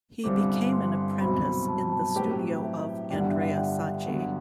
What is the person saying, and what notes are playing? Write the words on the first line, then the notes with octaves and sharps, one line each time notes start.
He became an apprentice in the studio of Andrea Sacchi.
G1 G2 D3 G3 C4 D6
C6
C6
C2 B2 F#3 C4 B5
A5
A5
A2 F#3 C4 G4 B4 G5
E5
G1 G2 D3 G3 D4 G5
F#5
E5
F#5
G5
G2 D3 F#3 B3 F#5